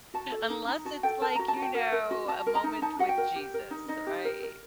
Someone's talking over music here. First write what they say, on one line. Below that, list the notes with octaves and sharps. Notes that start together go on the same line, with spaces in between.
Unless it's like, you know, a moment with Jesus, right?
F#4 A5
A4
D#4
D#4 A#5
F#4 A5
A4 G5
A#4 A5
A#5
F#4
A5
F#4
G5
A#4 F#5
A#4
F#4
F#4 A5
A#4
A#5
D#4
D#4 A5
F#4 F#5
G5
A#4
G4
A#4
D#4
D#4 D#5
G4
A#4
A#4